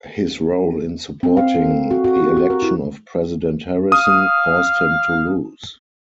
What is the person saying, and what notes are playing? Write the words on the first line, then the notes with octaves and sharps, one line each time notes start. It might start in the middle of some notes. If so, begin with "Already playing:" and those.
His role in supporting the election of President Harrison caused him to lose.
C4
F5
A4
A#4
F#4
F#4
G4
F#4
A#4
E4
F5 D#6